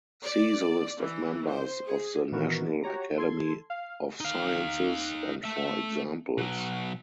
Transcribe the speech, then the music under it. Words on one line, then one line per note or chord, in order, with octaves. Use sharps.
See the list of members of the National Academy of Sciences and for examples.
D5
E3
C5
G#4
A#2 D#3 E3 B3 F#4 A#4
F#4 G4 C#5 A#5
A4 C6 G#6
F5
D#4 F5
A3 E5
B2 F#3